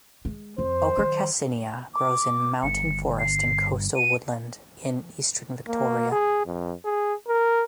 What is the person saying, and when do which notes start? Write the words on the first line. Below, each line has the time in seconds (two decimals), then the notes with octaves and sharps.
Ochre cassinia grows in mountain forest and coastal woodland in eastern Victoria.
0.25 G#3
0.58 F2 C5
0.97 D#3 F#3
1.94 D6
2.63 G1 C#7
3.19 C7
3.96 D#7
5.68 A#3
6.12 G#4
6.46 F2
6.85 G#4
7.28 A#4